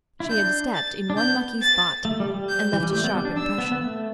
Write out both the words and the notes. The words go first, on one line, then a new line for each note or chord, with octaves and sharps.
She had stepped in one mucky spot and left a sharp impression.
E4
D4 G6
A6
D4
B3 G6
A6
A3
G3
G3
G6
E3
G3
A3 G6
B3
G3
D4
D4 E6
B3
B3
A3